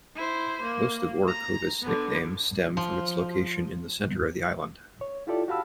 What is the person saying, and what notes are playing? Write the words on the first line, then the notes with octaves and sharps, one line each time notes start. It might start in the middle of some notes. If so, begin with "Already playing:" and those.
Most of Orocovis nicknames stem from its location in the center of the island.
E4 C5
A#3
A#5
D3 B3
F3
C#5
E4 F4 G4 A4 D5
F#4 G4 F5 A5 B5 E6